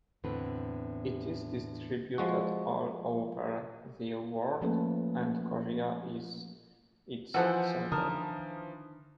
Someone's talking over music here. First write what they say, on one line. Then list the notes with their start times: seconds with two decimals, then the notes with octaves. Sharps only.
It is distributed all over the world and Korea is its center.
0.24 E2 A2 D3 C4 B4
2.18 F3 G#3 F#4
4.62 F3 A3 A#3 C#4 A4 B4
7.34 E3 F3 F#4 A4 C5 F#5 G#5 E6
7.92 D3 D#3 A#4 A5 D#6